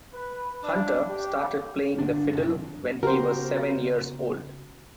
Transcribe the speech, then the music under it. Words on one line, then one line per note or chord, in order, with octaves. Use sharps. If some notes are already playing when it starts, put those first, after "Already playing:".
Hunter started playing the fiddle when he was seven years old.
B4
D4
G4
G1 D3 D4
F#2 C3 D#3 F#3
C#3 B3 F#4 G4 A#4 C5